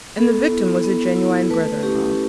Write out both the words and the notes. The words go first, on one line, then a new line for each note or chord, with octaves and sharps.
And the victim was a genuine brother-in-law.
B3 A4
E4
B3
E4
A3 B4
C#4 E4 G4